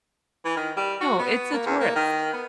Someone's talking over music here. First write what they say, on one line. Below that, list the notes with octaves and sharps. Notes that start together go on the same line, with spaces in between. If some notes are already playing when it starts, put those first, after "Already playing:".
No, it's a tourist.
E3
D#3
G3
F#4
B3
A#3
E2
A#3
D#3
B3